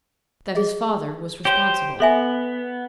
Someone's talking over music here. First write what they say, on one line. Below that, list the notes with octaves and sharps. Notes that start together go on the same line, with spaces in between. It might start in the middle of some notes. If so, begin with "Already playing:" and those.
That his father was responsible.
G#4 D#5
G4 C5 C#5
B3 A4 E5 G#5